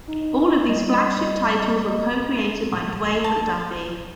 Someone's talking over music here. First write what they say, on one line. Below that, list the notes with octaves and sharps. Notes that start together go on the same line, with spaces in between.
All of these flagship titles were co-created by Dwayne McDuffie.
D#4
G3 D#5
A5